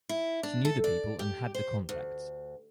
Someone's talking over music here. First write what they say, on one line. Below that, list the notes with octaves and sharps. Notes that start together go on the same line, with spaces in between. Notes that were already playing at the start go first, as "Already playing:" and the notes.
She knew the people and "had the contacts".
E4
D4
A4
D5
G4
C5
D2